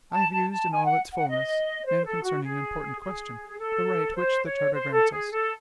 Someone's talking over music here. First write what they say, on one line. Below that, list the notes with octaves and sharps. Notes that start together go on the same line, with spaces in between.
I have used, in all its fulness, and concerning an important question, the right which the charter grants us.
A5
A5
A5
G#5
F#5
F#5
D#5
C5
A4
F#4
G#4
G#4
G#4
A4
C5
C#5
C5
A4
G#4
A4